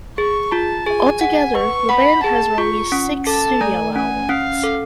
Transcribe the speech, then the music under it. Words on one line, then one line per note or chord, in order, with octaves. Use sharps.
Altogether, the band has released six studio albums.
G#4 C#6
F4 A5
G#4 G#5
F#5
B4 C#6
F#5 B5
G#4 A5
F4 C#6
C#4
A4 A5
A3 G#5
C#4 G#5
C#4 F5
A4